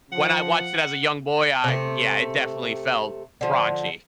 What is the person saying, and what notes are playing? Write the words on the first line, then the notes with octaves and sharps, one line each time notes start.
when I watched it as a young boy, I yeah, it definitely felt raunchy.
F3 F#5
C3 A3
D3 F3